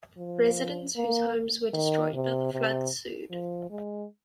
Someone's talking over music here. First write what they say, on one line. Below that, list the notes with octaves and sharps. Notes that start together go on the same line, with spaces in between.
Residents whose homes were destroyed by the flood sued.
F3
A#3
D#3
C3
C3
F3
G#3